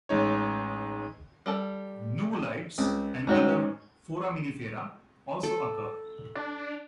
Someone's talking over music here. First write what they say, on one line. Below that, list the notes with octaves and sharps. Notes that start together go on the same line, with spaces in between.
Nummulites and other foraminifera also occur.
A1 G#3 D#4 C#5
G3 A4 A5
C#2 C4
G#2 C#4 D#4 F#4 G4
A4
D4